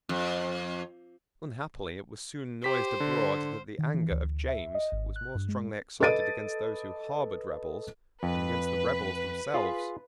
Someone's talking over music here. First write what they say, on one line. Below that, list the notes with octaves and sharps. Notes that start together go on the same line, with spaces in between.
Unhappily it was soon noised abroad that the anger of James was more strongly excited against those who harboured rebels than against the rebels themselves.
F2
G4 C5 B6
D3
D#3
E3
D2
E5
D#5
G#1
F#6
G2
G#3
A4 B4 D#5 A6 D7 D#7
F2 B4
F4 G#4